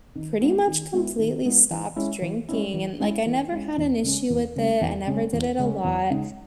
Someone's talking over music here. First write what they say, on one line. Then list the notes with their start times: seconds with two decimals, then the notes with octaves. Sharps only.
pretty much completely stopped drinking, and, like, I never had an issue with it, I never did it a lot,
0.15 D#3
0.41 G#3 B3 E4
0.67 D#3
0.93 G#3 B3 E4
1.19 D#3
1.45 G#3 B3 E4
1.71 E3
1.96 G#3 C#4 E4
2.22 E3
2.49 G#3 C#4 E4
2.74 E3
3.00 G#3 C#4 E4
3.26 E3
3.52 G#3 C#4 E4
3.78 E2
4.03 C#3 G#3 C#4
4.30 E2
4.56 C#3 G#3 C#4
4.81 E2
5.07 C#3 G#3 C#4
5.33 E2
5.59 C#3 G#3 C#4
5.84 E2
6.10 C#3 G#3 D#4